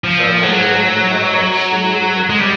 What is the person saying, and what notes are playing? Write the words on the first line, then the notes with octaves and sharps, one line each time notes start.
somewhere where they only have, like, swords or, like
F3
F#3
G#3
G3